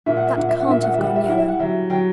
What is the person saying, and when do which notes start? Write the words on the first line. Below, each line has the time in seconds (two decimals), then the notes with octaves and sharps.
That can't have gone yellow.'
0.06 A#2 E5
0.17 F#5
0.27 E5
0.37 A#2 F#5
0.49 E5
0.60 F#5
0.68 A#2 E5
0.83 F#5
0.94 E5
0.98 G3
1.04 F#5
1.16 E5
1.25 E4 F#5
1.38 E5
1.47 F#5
1.59 F#3 E5
1.90 F#3 G5